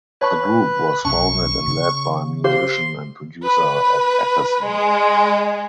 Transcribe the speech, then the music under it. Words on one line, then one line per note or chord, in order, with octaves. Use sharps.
The group was founded and led by musician and producer Ed Ackerson.
B4 C#5 A5 C#6
B1 C#4 A5 C#6
C#3
G4 C5 F5 C6
B4
G#3